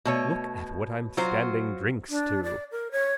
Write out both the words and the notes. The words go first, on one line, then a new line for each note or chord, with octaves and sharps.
Look at what I'm standing drinks to!
B2 A3 C#5
F#3 F4 F#4 C5
D4
D5
A#4
C#5